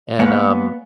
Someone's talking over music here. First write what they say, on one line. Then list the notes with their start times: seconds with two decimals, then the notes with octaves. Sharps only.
and, um,
0.19 G#3 A#3 B3 C#5 D5 F#5